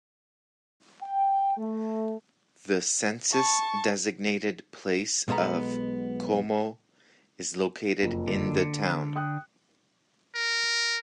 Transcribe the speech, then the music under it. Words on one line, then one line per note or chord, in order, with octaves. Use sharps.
The census-designated place of Como is located in the town.
G5
A3
A5 C#6
B1 B2 G#3 B3 A#5
F#1 F2
D3
C#7
G5 D#6 F#6
A#4